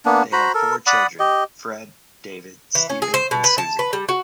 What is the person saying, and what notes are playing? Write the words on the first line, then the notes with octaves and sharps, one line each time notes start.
They had four children: Fred, David, Steven and Susan.
A#3 B3 D4
F#4 C5 A#5 B5
A4 A#4
D5 F#5 B5 D#6
G4 D#5
E3
C#4
G#4
C5
B2
B4
A5
B4
G3
F#4